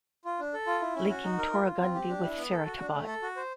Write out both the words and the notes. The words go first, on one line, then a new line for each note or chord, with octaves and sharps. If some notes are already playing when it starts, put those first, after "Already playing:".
Linking Toraghundi with Serhetabat.
F4
D4
A4
F4
E4
C#4
F#4
D#4
A#4
F4
F4
C4
G4
D4
E4
B3
A4
F#4
D4
A3
A4
F#4
C5